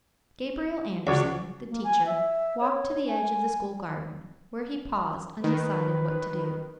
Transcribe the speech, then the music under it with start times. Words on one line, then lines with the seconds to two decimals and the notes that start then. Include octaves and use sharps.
Gabriel Andersen, the teacher, walked to the edge of the school garden, where he paused, undecided what to do.
1.07 C#2 F#4 C#5 D5
1.69 A#3
1.84 G#5
2.06 E5
2.60 C#5
3.08 G#5
5.44 D#3 B4